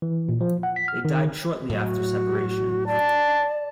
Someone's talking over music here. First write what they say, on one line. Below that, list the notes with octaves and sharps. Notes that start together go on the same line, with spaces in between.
They died shortly after separation.
E3
A#2
F3
F#5
B6
F6
D#3
A2 F#3 F#4
D5 A5